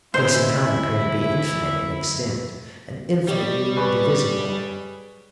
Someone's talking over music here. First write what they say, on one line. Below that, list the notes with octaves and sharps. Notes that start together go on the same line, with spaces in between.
Space and time appear to be infinite in extent, and infinitely divisible.
D2 E3 G#3 C#4 E4 C5
G3 G4 C#5 D#5
G#4 B4 C#6